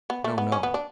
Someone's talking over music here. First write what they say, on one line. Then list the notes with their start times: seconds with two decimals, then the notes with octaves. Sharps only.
No, no.
0.10 B3
0.24 A3
0.38 B3
0.52 C#4
0.63 B3
0.74 D4